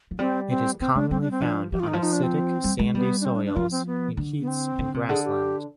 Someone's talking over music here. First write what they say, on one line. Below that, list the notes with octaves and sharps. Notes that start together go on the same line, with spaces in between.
It is commonly found on acidic, sandy soils in heaths and grassland.
F3
G3 C4
C4
B3 C4
G#3 D4
G3 C4
D4
C4
F3 D4
F3 G4
F4
D#3 D#4
F3 F4
D#4
D4
C4
G3
G#3
G3 B3
D4
C4
D4
D4
F3 F4
C4
B3
D3
B3
C4
D3
C3
D3 G#4
G4